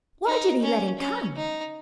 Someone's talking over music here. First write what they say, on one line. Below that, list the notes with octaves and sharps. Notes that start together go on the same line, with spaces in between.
Why did he let him come?
D#4
C#4
C#4
D#4